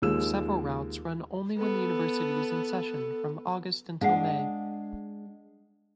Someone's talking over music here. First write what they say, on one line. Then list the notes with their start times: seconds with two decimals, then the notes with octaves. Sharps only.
Several routes run only when the university is in session from August until May.
0.02 D#2 F3 G#3 E6 E7
1.58 B3 A4
4.01 G#3 D4 F5 F#5